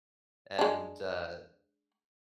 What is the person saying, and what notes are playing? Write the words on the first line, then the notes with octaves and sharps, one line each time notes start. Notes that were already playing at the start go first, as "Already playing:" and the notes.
And, uh
G#3 D4